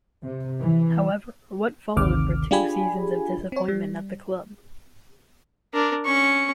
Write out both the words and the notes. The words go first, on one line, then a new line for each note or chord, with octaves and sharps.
However, what followed were two seasons of disappointment at the club.
C3
E3
G#1 D2 C3 D#3 D6 F6
D4 F4 G4 G#4 G#5 B5
C4 C#5
G3
D4 A#4
C#4 C#6